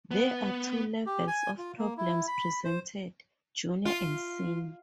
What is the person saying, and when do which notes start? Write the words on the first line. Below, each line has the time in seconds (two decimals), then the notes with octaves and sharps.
There are two levels of problems presented, Junior and Senior.
0.11 B3
1.06 G4
1.27 G#5
1.58 F4
1.78 A#3
1.97 E4
2.28 B5
2.64 C5
3.85 F4